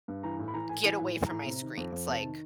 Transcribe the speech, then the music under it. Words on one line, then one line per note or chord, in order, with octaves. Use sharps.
get away from my screens, like
G2
E3 A#5
A2
B5
E3 A#5
A2 G#5
E3 G#5
A2
E3
A2 A#5
C3
D#3
F2
F2
C3 A5
D#3